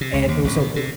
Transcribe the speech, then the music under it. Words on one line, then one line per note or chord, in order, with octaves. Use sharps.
and it was so,
C3
C#2
D#2
A1
B2
C3